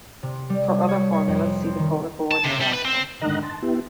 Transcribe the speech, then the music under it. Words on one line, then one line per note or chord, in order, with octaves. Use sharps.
For other formulas, see the polar coordinate article.
C3
G3
C#5
C#5
F2
F2
C4
D#3
A5
C3
G3
B4
C4
G#2 D3 D#3 D#5 A#5 F#6
A5 C6
B3 E4 G4